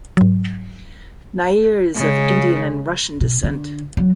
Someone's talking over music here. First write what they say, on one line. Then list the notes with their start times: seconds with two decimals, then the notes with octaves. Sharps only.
Nair is of Indian and Russian descent.
0.17 G#2 F#3
1.95 C#3 G#3
3.21 B2
3.44 D3
3.97 F#3